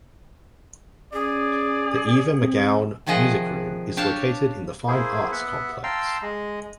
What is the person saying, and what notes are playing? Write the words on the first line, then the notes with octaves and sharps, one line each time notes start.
The Eva McGown Music Room is located in the Fine Arts Complex.
C#4 G#4 D5
C4
C3 D#3 F3 G#4 D#5 F#5
D4 G4 C#5 F5 A5
A#3 E4 G#4 C5
B3 E5 F#5
F5 G5 A5 A#5 C6 E6
G#3 D#5